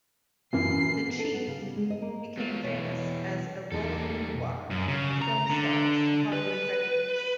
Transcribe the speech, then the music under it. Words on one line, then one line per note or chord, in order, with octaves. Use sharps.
The "Chief" became famous as a "rolling boudoir" for film stars and Hollywood executives.
F#2 A#2 E3 A#3 C7
B3
A4
B3
C#3
G3
G#3
D#5
A#3
F#3 G#3 B3 F4
B2 E3 C#5
E2 G3 A#3 D#4 A4 A5
F2 B2
F#2
C#3
A#5
D3
B4